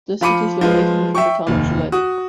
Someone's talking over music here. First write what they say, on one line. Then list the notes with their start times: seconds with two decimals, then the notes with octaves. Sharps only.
The city is located within the Town of Gillett.
0.21 F3 F4 B5 D6 C#7 D#7
0.61 F3 G#3 F4 B4
1.15 E5 G5 C#6
1.47 F1 D#2
1.92 F#4 D#6